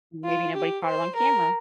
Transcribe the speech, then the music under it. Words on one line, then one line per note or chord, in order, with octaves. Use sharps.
Maybe nobody caught it on camera.
F4
G4
C5
A#4